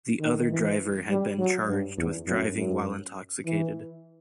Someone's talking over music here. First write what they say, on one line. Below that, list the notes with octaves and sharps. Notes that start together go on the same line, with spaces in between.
The other driver had been charged with driving while intoxicated.
D#3
E3
G3
F#3
G2
E2
F#2
F#2
E3